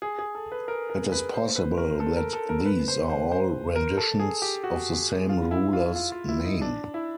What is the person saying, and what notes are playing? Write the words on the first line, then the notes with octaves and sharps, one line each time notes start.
It is possible that these are all renditions of the same ruler's name.
G#4
G#4
A4
B4
A#4
A#4
B4
C5
B4
A#4
A4
A#4
A4
A#4
B4
C5
C5
C5
A#4
A4
G#4
G4
F#4
F4
E4
F4
F4
F4
E4
D#4
D4
E4